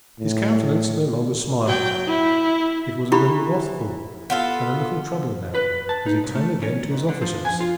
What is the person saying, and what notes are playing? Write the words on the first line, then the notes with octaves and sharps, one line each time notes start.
His countenance no longer smiled; it was a little wrathful and a little troubled now as he turned again to his officers.
A2
F#3 G5
E4
E3 E4 G4 B5
B3 F4 A4
B4
A5
D#4
C2
A3
C#4
G#2
D3
F3
G#5
F4